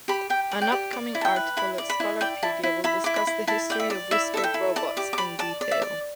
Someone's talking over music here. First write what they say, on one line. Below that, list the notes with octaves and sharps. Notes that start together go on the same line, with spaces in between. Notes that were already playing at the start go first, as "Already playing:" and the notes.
An upcoming article at Scholarpedia will discuss the history of whiskered Robots in detail.
G4 B5
G4 G5
D5
G5
G4
D5
E4
A5
G5
B4
E4 B5
D5
B5
E4
D5 G5
E4 A5
E4
E4 B5
E4 D6
B5
E4
E4 A5
D5 G5
E5
D5
E4 E5
A4 E5
G5
E4
D5 A5
G4 D6
D6
D5 B5
D5 A5
D5
E5
D5